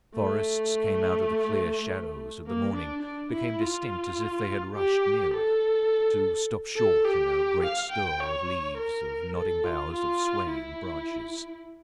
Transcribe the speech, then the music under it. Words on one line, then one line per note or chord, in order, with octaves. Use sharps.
The forests came out of the clear shadows of the morning, became distinct, as if they had rushed nearer--to stop short in a great stir of leaves, of nodding boughs, of swaying branches.
A3
A#3
D4
D4
E4
F4
G4
A4
A4
G4
F5
G5
C#5
A#4
A4
F4
F4
E4